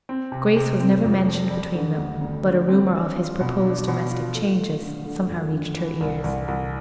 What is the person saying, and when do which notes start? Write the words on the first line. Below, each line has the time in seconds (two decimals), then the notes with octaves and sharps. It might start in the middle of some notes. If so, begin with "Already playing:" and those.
Grace was never mentioned between them, but a rumor of his proposed domestic changes somehow reached her ears.
0.09 C4
0.32 C3
0.56 C3
0.80 C4
1.04 F2
1.28 F3
1.50 G3
1.75 D3
1.98 D2
2.22 D2
2.46 D3
2.68 C4
2.92 D4
3.16 F4
3.40 B2
3.64 D4
3.88 B2
4.11 F4
4.34 A3
4.59 A3
4.83 D3
5.06 D3
5.29 F2
5.53 D3
5.77 E3
6.01 C2
6.24 C2
6.48 C2